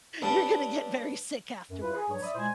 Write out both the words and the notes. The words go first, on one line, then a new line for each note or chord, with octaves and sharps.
you're gonna get very sick afterwards.
G2 G3 B4 C#5 A5
F#2
E4 F4 B4
G#4
G2 F#3 G3 C#5
D5 E5 B5 D#6
A#2 G#3 E4 C5 G#5